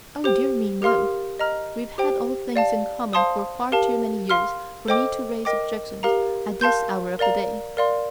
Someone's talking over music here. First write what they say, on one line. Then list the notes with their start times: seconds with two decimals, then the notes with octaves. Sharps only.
"Oh, dear me, no! We've had all things in common for far too many years for me to raise objections at this hour of the day."
0.24 G4 C5 G5
0.82 G4 A#4 F5 C6 F6
1.39 D#5 A#5 F6
1.98 G4 C5 G5
2.56 D5 F5 A5
3.13 C5 F5 A5 C6 D#6
3.72 G4 A#4 F5 A5
4.29 F5 C6 F6
4.88 A4 C5 D#5 G5 D6
5.45 A#4 D#5 G5 D6
6.03 G4 A#4 F5 A#5
6.61 A#4 F5 A5 C6 G6
7.19 A#4 D5 F5 A#5
7.77 A#4 D5 F5 C6